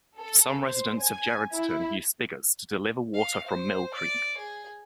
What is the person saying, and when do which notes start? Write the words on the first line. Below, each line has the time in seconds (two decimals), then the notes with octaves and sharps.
Some residents of Gerrardstown use spigots to deliver water from Mill Creek.
0.17 A4
0.64 C5
1.01 G#5
1.53 E4
3.14 F5
3.46 C5
3.94 D5
4.38 G#4